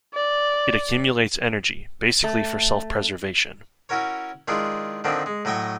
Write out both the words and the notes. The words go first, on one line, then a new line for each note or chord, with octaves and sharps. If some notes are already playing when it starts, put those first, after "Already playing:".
It accumulates energy, basically for self-preservation.
D5
A3
C#4 E4 F#4 A#4 C#5
D#3 G#3 D4 E4 F4
D3 D#3 F3 C4 D4
G#3
A2 F#3 D#5 G5 C#6 D#6